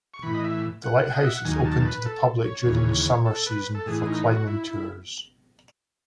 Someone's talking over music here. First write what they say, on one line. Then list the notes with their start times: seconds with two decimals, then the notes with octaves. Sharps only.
The lighthouse is open to the public during the summer season for climbing tours.
0.14 C#6
0.23 A2 E3 B5
0.34 D#5
0.44 E5
0.84 F#5
1.15 D#5
1.24 E5
1.35 F#5
1.45 D#2 D#3 F#3 G#5
1.65 A5
1.85 B4
2.06 A4
2.45 C#5
2.66 D#2 C#3 E3
3.25 A4
3.47 B4
3.75 A4
3.86 A2 E3 G#4
4.06 D#4
4.26 F#4
4.47 E4
4.67 E4